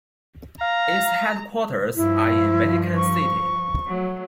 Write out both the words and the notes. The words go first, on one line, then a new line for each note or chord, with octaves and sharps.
Its headquarters are in Vatican City.
F5 A#5
G2 F3 E4
C#6
F#3 A3